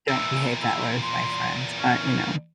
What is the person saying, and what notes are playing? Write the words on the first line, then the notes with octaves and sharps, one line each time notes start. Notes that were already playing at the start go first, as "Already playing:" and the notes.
don't behave that way with my friends, but, you know.
E2 A#2 E5
E4
C6
C#4